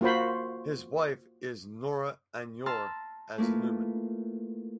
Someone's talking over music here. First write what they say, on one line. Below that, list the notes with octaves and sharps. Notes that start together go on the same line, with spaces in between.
His wife is Nora Aunor as Lumen.
A#3 F4 F#4 C5 B5
A5 A#5 C6 E6 F6
A3 A#3 E4 F4 B4